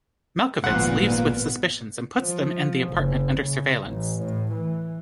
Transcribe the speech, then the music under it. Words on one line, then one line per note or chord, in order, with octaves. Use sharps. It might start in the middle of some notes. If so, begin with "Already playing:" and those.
Melkowitz leaves with suspicions and puts them and the apartment under surveillance.
G#1 D#2 A#2 F3 A#3 B3 F#5
F3
F#1
C#3
A1
A2
E3